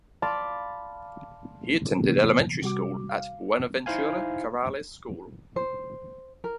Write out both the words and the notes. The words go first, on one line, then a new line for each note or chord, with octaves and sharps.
He attended elementary school at Buenaventura Corrales School.
D5 F5 A5 B5 C6 D6
C3 E3 A#3 B3
C3 G3 F#4 D6
F5
D#4 E4 C5 F5 G#5
C5
A#4